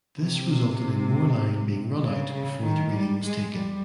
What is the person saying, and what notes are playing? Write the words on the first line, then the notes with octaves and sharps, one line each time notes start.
This resulted in more line being run out before the reading was taken.
C3
C#3
C#3
D#3
G3
G#3
G3